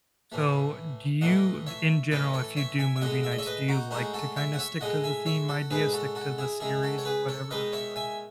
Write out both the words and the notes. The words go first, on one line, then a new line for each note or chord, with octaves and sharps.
So, do you, d in general, if you do movie nights, do you like to kinda stick to the theme idea, stick to the series or whatever, or do you like to mix up?
A2 E3 A3
A2 E3 A3 D#5 F#5
C#5 E5
A2 E3 A3 B4 D#5
A4 C#5
C#5 E5
E5 G#5
E5
A2 G#3 D#5 F#5
E5
D#5
C#5 E5
B4 D#5
D#4 F#4
A2 G#3 D#4 F#4
F#4 A4
C#5 E5
F#5
C#5 E5
A2 G#3 D#5 F#5
E5 G#5
C#5 E5
F#4 A4
A2 G#3 G#4 B4
F#4 A4
F#4 A4
E4 G#4
D#3 G#3 E4 G#4
F#4 A4
C#5
G#4 B4
A4 C#5
D#3 G#3 B4 D#5
C#5 E5
E5 G#5